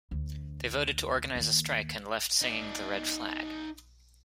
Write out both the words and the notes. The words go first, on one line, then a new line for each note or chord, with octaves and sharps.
They voted to organise a strike and left singing "The Red Flag".
D2
D#2
D#4 D5